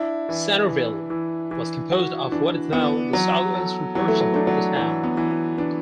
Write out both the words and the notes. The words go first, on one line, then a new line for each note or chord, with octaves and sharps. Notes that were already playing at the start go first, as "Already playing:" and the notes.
Centerville was composed of what is now the southeastern portion of the town.
Already playing: D4 E4
E3
E3
E3
E3
F#4
E3 D4
E3 B3
E3 F#3
A4
E3 F#3
A3
F#3
A3 D4
F#3
E3 F#3
B3
E3
B3
E3 D4